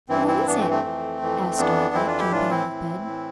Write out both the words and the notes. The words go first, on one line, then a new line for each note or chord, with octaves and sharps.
"What is it?" asked Dorothy, jumping out of bed.
G2 E3 C4 E4
C4 E4
G2 E3 B3 D4
A3 C4
A3 C4
F2 E3
F2 E3
F2 E3 B3 D4
F2 E3 C4 E4
D4 F4
E4 G4
A2 E3 D4 F4
C4 E4
A2 E3
A2 E3